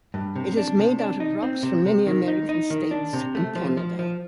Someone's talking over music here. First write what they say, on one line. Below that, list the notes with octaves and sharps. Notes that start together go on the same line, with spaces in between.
It is made out of rocks from many American states and Canada.
G2
C3
D4
C3
D4
D#4
C4
C3
C3
D#3
D#4
D#4
D#3
D4
C3
A3
F3
F3
F3